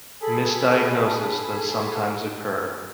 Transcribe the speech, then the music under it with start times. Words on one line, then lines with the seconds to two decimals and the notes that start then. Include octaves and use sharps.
Misdiagnosis does sometimes occur.
0.20 G#4 A4 B5